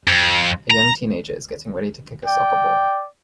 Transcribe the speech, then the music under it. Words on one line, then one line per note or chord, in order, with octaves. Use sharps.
A young teenager is getting ready to kick a soccer ball.
F2
A#5
D5 G5